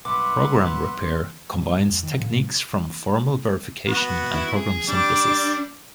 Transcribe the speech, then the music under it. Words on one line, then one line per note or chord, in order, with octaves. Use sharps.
Program repair combines techniques from formal verification and program synthesis.
B1 G2 B4 E5 F#5 C6 D6
A#2 F#3 G#3
G2
F2
D#3
A2 D3 F3 G#3
B3 F#4
E4
G#4
G3 D4 D6